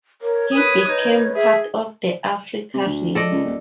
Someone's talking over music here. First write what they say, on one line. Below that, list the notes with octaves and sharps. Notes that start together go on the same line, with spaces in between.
He became part of the 'Africa Ring'.
A#4 C#5
A#4 B4 D#6
D#4 B4
G#4 E5
C3
D2
A4 D5 D#5
C#2
D#1